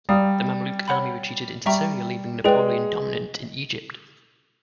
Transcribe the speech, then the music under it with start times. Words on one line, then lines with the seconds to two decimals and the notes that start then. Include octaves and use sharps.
The Mameluke army retreated into Syria, leaving Napoleon dominant in Egypt.
0.09 G3 D5 F5 A#5 D#6
0.88 C#5 F#5 B5
1.66 G3 E5 G5 A#5 C#6
2.44 G#3 G#4 B4 D5 G5